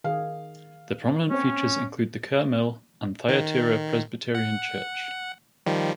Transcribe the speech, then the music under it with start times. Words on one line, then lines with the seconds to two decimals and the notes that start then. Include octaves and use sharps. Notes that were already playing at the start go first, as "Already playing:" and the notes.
The prominent features include the Kerr Mill and Thyatira Presbyterian Church.
0.04 D#3 G#4 F5
1.30 A#3 C4 C#4 C#5
3.28 D#3
4.35 F#5
5.66 D#3 F3 G3